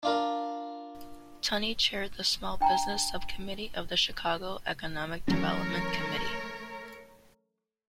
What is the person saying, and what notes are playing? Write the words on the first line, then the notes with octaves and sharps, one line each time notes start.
Tunney chaired the small business subcommittee of the Chicago Economic Development Committee.
D4 F4 A#4
D4 G5 A5 A#5
E3 F#3 A3 C#4 A#4 C#5